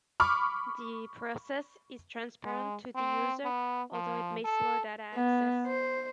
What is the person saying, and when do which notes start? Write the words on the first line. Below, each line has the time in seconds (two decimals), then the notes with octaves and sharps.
The process is transparent to the user, although it may slow data access.
0.20 B5 C#6 D6 F6
2.44 G#3
2.95 C4
3.45 B3
3.93 F3
4.45 A4
5.14 B3
5.67 C5